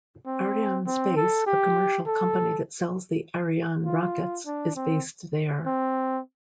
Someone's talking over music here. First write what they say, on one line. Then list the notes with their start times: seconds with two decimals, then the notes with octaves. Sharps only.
Arianespace, a commercial company that sells the Ariane rockets, is based there.
0.26 C4
0.86 C4
1.17 A4
1.47 G4
2.07 A4
3.86 F4
4.46 D4
4.75 C4
5.66 C4